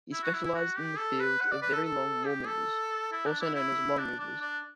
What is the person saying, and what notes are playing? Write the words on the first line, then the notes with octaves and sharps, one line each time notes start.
He specialized in the field of very long moremovers, also known as longmovers.
E4
F#4
E4
E4
F#4
G4
A4
B4
F#5
D5
B4
A4
A4
G4
A4
E4
D4
E4
E4
D4
D4
D4